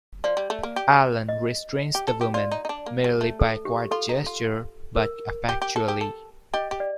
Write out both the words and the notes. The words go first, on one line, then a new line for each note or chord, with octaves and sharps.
Allan restrains the woman, merely by a quiet gesture, but effectually.
F3 D5
G3
A3
A#3
G4
D#5
G4
A4
G4
F4 D5
D#4
D#4
D4
A#3
G3
A3
A4
G4
F4 A4
D#4
F4
A#4
G4
G4
A4
G4
A4
G4 D#5
G4
D5